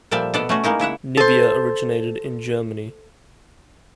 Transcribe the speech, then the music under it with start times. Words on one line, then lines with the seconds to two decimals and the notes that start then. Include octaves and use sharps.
Nivea originated in Germany.
0.11 A#2 F3 G3 A4 D5 E5
0.34 B2 B3 A4 D5 F#5
0.49 A3 C#4 F#4
0.64 G#3 A#3 D#4 E4
0.80 C#3 E4 E5 F#5
1.17 A4 C5